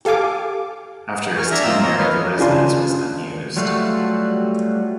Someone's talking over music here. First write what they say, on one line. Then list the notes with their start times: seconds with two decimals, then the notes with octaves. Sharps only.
After his tenure the residence was unused.
0.05 G4 A4 F5 G#5 D6
1.37 A#4 G#5 C#6
1.51 D4 E5 A#5
1.64 A#3 C4 D#4 F4 A#5 E6
1.83 C#5 A#5
1.98 A#4 B4 C#5 D#5 F5
2.38 C#3 D4 F4 G#5 A5 C6
3.57 F#3 G3 A3 F4 F#4